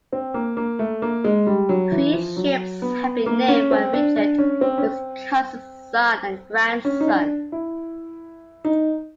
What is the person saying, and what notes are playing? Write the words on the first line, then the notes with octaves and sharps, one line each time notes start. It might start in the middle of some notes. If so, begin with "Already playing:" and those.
Three ships have been named for Richard, his cousins, son and grandson.
C4
A#3
A#3
A3
A#3
G#3
G3
F#3
E3
F3
F#3
B3
A#3
C#4
C4
D4
D4
C#4
C4
C#4
C4
C#4
D#4
D4
E4
D#4